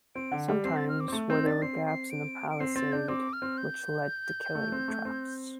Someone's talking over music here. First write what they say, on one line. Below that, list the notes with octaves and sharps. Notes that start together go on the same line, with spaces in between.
Sometimes there were gaps in the palisade, which led to killing traps.
C4 D7
D3
G3
C4 C7
A6
F6
D6
C4
A3
C4 G6
D4 A6
C4 C7
C7
D7
D7
C4 C7
C4 A6
D4 G6
C4 D6
F6
C4
G6
A3
C4
A3
C4